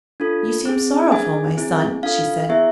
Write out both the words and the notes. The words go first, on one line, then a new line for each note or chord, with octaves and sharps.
'You seem sorrowful, my son,' she said.
D4 F4 A4
C4 G#4
D4 G#4 G#5
C4 E4 G#4
D4 F4 A4 F5
B3 E4 G#4 E5